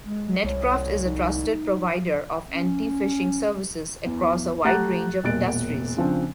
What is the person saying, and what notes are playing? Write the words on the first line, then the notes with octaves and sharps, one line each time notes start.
Netcraft is a trusted provider of anti-phishing services across a wide range of industries.
G#3
C2 C#5
D#4
C#4
E2
A3 G4 F#5 A#5 F#6 A6
E1 A#2 F#6 A6 D7
C#3 F3 C4 D4